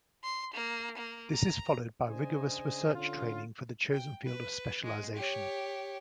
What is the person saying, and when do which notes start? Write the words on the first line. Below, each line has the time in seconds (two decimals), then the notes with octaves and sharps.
This is followed by rigorous research training for the chosen field of specialization.
0.24 C6
0.54 A#3
0.98 A#3
1.34 A#5
2.07 C#3 D4 C5 D#5 G#5
2.94 D3 C#4 F4
3.92 G5
4.25 B4
4.84 G#3
5.15 G4 C#5